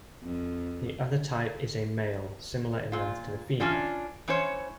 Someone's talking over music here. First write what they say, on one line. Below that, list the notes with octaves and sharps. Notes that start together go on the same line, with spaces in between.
The other type is a male, similar in length to the female.
F2
A#2 F4
E3 C#4 D4 F4 D5
E3 C#4 C5 C#5